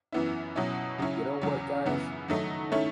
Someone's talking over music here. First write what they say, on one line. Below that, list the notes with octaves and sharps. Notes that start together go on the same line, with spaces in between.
You know what, guys?
F#2 E3 B3 E4
B2 F#3 C#4 E4
C#3 F#3 C#4 E4
E2 C#3 F#3 C#4
F#2 C#3 E3 B3 E4
D#3 F#3 A3 D#4
D#3 A3 C#4 E4